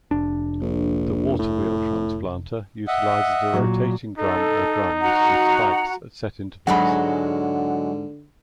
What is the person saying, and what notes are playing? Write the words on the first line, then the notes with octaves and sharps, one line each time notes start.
The waterwheel transplanter utilizes a rotating drum or drums with spikes at set intervals.
F1 D4
A#1
A2
D#5 E5 F#5
A#2 F#3
D#4 A4
F#4 F#5 A#5
G#2 D3 F#3 G#3 F#4 F#5 B5